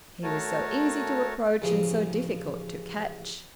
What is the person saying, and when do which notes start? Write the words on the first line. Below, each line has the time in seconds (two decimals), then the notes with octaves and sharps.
He was so easy to approach and so difficult to catch.
0.23 A3 F#4 A#4 C#5 A5
1.62 A1 C#3 F3 G#4